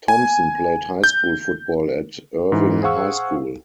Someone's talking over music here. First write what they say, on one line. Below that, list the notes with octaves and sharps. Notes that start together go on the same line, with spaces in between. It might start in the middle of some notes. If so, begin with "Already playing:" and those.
Thompson played high school football at Irving High School.
G#5
G6
G#2 E3
G#4 C5 F5 F#5 C#6 E6